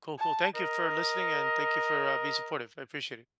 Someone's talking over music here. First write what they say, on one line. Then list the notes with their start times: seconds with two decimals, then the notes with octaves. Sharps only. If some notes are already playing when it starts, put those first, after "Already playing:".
Cool, cool, thank you for listening, and thank you for, uh, being supportive, I appreciate it.
0.19 A5
0.55 A#4 D#5